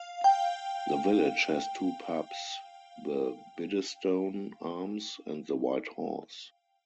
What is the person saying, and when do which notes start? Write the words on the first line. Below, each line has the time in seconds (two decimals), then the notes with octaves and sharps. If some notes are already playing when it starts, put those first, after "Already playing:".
The village has two pubs, the Biddestone Arms and the White Horse.
Already playing: F5
0.24 G5